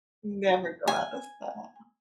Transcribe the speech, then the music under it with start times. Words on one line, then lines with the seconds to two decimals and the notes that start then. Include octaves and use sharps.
Never go out of style.
0.88 G#5